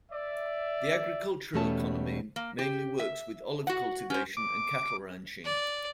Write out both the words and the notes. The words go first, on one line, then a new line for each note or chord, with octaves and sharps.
The agricultural economy mainly works with olive cultivation and cattle ranching.
D5 E5
E2 B2 G3 A3 C#4 A5
A#3
G4
E5
F#4 F#5
C#4 C5
D6
D5